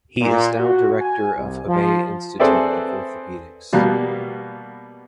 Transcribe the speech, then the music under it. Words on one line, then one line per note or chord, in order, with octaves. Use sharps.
He is now director of Hebei Institute of Orthopedics.
A#2
F#4
G#5
C2
F3
C4 G#4 A4 B4 D5 E5
B2 G3 A#3 B3